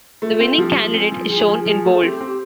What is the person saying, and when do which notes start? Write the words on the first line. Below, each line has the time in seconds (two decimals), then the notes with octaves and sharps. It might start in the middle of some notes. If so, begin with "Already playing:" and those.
The winning candidate is shown in bold.
0.22 A3 F4
0.40 C4
0.58 F3 G4
0.77 F3
0.90 A4
0.94 C4 G#4
1.12 F3
1.30 F3 G#4
1.48 F3
1.66 F3 G#4
1.85 A3
2.03 C4 G4
2.21 C4